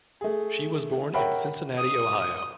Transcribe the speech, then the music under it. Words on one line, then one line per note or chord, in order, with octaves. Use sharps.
She was born in Cincinnati, Ohio.
A3 G#4
A#4 C#5 E5 F#5 G5 B5
D#6